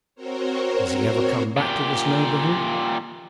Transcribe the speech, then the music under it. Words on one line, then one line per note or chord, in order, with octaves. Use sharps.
"Does he ever come back to this neighborhood?"
C4 F#4 A#4 C5 C#5
A#2 G4